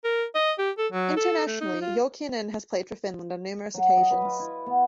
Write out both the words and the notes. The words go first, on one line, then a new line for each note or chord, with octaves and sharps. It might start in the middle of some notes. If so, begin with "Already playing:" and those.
Internationally, Jokinen has played for Finland on numerous occasions.
A#4
D#5
G4
A4
F#3
A4
A3
D#4
F4
F#3
D#5
B4
F4
E4
B3